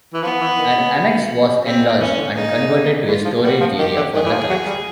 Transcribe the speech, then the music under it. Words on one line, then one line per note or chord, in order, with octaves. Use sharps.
An annex was enlarged and converted to a storage area for the collection.
E3
F3 B3
E3
D#3
C#3
C3
B2
C3
C#3 C4
A#2
E3 C#4
D3
C#3 D#4
C#3
D3
C#3
D3
E3 F4
F3
G3 F#4
F3
D#3 G4
D3
D#3 G#4
E3
F3
F#3
G3